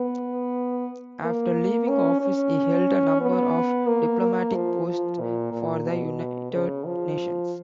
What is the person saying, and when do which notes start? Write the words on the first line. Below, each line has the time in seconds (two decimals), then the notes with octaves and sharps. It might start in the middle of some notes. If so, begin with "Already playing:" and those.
After leaving office, he held a number of diplomatic posts for the United Nations.
Already playing: B3
1.22 A#3
1.88 C#4
2.21 C#4
3.21 B3
3.87 A#3
4.21 A#3
4.54 F3
4.87 F3
5.20 A#2
5.52 A#2
5.86 B2
6.52 C#3
6.86 F3